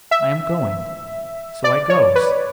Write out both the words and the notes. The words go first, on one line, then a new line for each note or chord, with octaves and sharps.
I am going.' So I goes.
E5
D5
C#5
B4